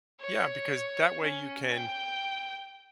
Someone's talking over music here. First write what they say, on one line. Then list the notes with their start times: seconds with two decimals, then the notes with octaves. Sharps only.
Yeah, because that way you can
0.21 C#5
1.22 C#4
1.73 G5